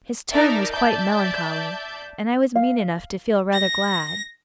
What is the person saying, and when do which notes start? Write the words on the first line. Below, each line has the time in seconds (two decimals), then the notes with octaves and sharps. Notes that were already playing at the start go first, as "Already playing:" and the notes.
His tone was quite melancholy, and I was mean enough to feel rather glad.
0.32 D#4 A#4 D5 E5 A5
0.73 D5 E5 A5 G6
2.55 F5
3.53 A#6